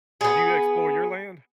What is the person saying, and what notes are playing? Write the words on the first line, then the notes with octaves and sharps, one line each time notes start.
Do you explore your land?
B3 G#4